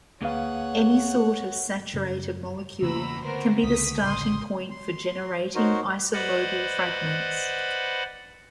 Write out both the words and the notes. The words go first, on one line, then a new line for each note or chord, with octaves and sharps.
Any sort of saturated molecule can be the starting point for generating isolobal fragments.
D2 A#3 G#4 B4 C#5 F5 F#5
F#2 C#3
E2 C#3 A3 A#3 A#5 B5 E6
D2 B3 A#4 C5
C#2 C#3 D#6 B6
A1 C#3 C6 D#6
C6
D#4 F#4 A#4 C5 C#5
B4 C5 D5 D#5 F#5 B5